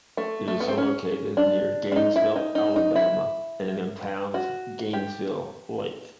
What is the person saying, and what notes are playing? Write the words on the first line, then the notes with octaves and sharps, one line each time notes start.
It is located near Gainesville, Alabama, and impounds Gainesville Lake.
A3
A3
B3
C4
C#4
D4
D4
D#4
E4
D#4
D#4
D#4
E4
F#4
G4